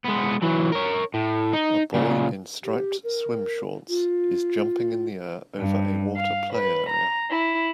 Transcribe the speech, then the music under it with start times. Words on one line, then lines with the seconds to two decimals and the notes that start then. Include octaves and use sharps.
A boy in striped swim shorts is jumping in the air over a water play area.
0.05 G#3 B3
0.42 E3 F#3
0.72 A#4 C#5
1.14 A2
1.53 D#4
1.94 A#2 C#3
2.64 G4
3.04 A#4
3.89 F4
5.57 G2
6.17 F5
6.53 B4
6.89 A#5
7.31 E4